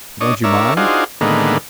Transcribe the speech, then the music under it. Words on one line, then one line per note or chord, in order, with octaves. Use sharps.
"Don't you mind?"
D4 C#5 D#5
D4 A#4 C#5 E5
D4 D#4 F4 F#4 G#4 C5
A2 D3 D#3 G#3 A#3 B3